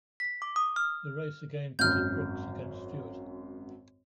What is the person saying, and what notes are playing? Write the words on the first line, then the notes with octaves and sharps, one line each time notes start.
The race again pitted Brooks against Stewart.
B6
D6
D#6
F6
G#1 F#2 F6 G6